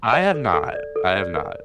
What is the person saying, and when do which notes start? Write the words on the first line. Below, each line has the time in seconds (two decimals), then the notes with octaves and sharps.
I have not. I have not.
0.13 D5
0.34 A4
0.54 A4
0.75 D5
0.96 A4
1.16 D5
1.37 A#4